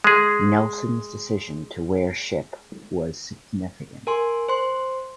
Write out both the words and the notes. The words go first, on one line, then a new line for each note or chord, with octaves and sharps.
Nelson's decision to wear ship was significant.
G#3 G#4
A#4 G#5 C6
C5 C6